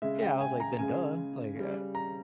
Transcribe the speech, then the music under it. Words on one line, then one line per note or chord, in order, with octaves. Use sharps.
Yeah. I was like, "Then duh. Like, uh,
C#3 G#3 E5
G5
G#5
A#5
C#3 G#3 G#5
C#3 G3
A#5